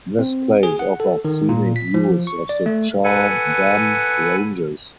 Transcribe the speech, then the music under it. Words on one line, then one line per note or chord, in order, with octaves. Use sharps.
This place offers scenic views of the Char Dham ranges.
C4
G#4
F#5
A4
D#3
A#2
B6
F3
C#6
D5
A3
A4 B4 F#5 G#5